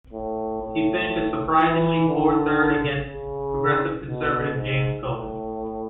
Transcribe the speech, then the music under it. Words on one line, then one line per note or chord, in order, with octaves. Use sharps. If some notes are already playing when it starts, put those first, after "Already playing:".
He finished a surprisingly poor third against Progressive Conservative James Cowan.
A2
A2
E3
D3
C#3
B2
G#2
A2